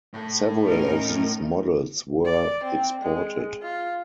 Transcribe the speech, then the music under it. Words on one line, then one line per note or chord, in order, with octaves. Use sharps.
Several of these models were exported.
A2 A4
C#4 D#4 A#4
D5
C4
G#3
F4